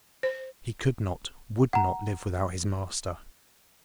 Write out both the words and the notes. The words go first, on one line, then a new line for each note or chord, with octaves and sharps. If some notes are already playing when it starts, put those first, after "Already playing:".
He could not, would not live without his master.
C5
F#5 A#5